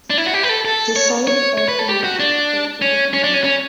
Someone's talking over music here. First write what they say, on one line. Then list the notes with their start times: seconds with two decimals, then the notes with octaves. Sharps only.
The site also lists political families.
0.10 D4
0.18 E4
0.26 F#4
0.34 G4
0.43 B4
0.49 A4
0.65 A4
0.96 C#5
1.27 C#5
1.58 C#5
1.68 B4
1.79 A4
1.89 G4
2.04 F#4
2.20 D4
2.82 C#4
3.13 C#4
3.24 D4
3.34 C#4
3.44 C#4